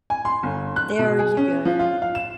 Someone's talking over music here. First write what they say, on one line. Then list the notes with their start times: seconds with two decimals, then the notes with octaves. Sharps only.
There you go.
0.10 G#5
0.25 C6
0.43 G1
0.76 F#6
0.99 B2
1.19 G#4
1.37 C#4
1.65 F3
1.79 F4
2.02 F5
2.15 E7